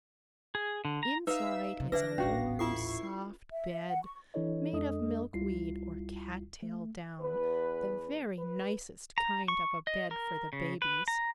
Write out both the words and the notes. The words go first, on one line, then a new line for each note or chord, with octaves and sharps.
Inside is a warm, soft bed made of milkweed or cattail down, the very nicest kind of a bed for the babies.
G#4
D3
A#5
D#4 B4 E5 F5 E6
C3
D3 D4 B4 D5 E5 A#6
D#1 A1 C#4 F#4 F5
E4 F4 A4 C#6 C7
E5
F#5
C#6
E3 D4 E4 A4 C#5 D#5
F2 G#3 D4 A4 D#5 D#6
C#2 G3 E4 F4 C7
A3
E2 B4
B4
A#5
C#6
D#5
A#4
C#3
B4
A#5